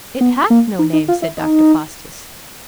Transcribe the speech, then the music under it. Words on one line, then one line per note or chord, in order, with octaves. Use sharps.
"It hath no name," said Dr. Faustus.
B3
A#3
D#4
D#4
F4
E4
D#4